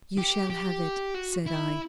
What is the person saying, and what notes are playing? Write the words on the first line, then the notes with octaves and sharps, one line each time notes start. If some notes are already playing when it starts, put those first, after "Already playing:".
"You shall have it," said I.
G4
G4
F#4
E4